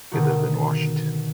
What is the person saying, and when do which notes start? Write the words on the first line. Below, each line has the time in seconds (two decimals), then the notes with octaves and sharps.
He lived in Washington.
0.12 B2 D3 D#3 F#4